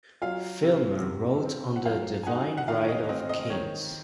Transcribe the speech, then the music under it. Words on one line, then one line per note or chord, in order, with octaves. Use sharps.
Filmer wrote on the Divine Right of Kings.
F#3 F4 F5
C3
C3
C4
F#5
F#3 F4 F5
G#5
D#4 F#4 F#5
F#5
D#3 F4 F5
C#5
D#5
C4 D#5
D#5
D#3 C#5